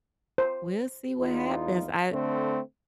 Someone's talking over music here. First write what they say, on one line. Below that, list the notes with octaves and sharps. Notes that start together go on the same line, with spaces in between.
we'll see what happens. I
C5
E2 D#4 F4
D3 A3 C4